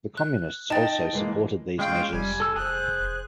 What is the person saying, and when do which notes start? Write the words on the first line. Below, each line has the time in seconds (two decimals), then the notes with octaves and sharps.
The Communists also supported these measures.
0.17 F#6
0.70 D#4 G5 A5 A6
1.13 E3 G#3 A#3
1.79 G#3 C#4 F4 G5
2.13 F1 G3 G#5
2.40 A4 E6
2.56 F1 G#4 C5 F#6